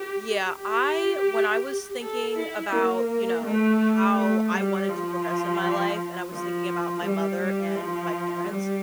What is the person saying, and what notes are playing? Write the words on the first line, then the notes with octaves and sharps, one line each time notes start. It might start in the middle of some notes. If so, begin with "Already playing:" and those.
Yeah, I when I was thinking about, you know, how I wanted to progress in my life, and I was thinking about my mother, and my parents.
Already playing: G4
G4
A4
E4
A#3
A3
A3
G3
F3
F3
G3
G3
F3
G3